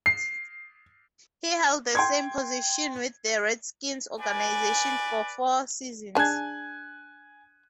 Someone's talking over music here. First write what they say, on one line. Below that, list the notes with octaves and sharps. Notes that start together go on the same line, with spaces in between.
He held the same position with the Redskins organization for four seasons.
C7
G5 C6 G#6
B4 D5 G#5
D4 G#4 G#5 F#6 G#6